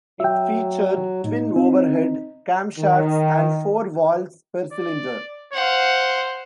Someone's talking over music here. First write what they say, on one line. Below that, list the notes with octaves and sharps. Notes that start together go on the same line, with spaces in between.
It featured twin overhead camshafts and four valves per cylinder.
F#3 E5 G5
A2 D#4
C4
D#3
D5
C5 F5 F#5